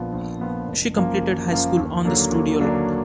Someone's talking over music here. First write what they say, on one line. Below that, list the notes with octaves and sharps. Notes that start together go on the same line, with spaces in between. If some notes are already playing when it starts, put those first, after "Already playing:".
She completed high school on the studio lot.
Already playing: A#1 A#2 F3 B3 F4
A#1
A#2 F3 B3 F4
F#1
F#2 F3 A#3 F4
F#1
F#2 F3 A#3 F4
D#2
D3 F#3 A#3 D4
D#2
D3 F#3 A#3 D4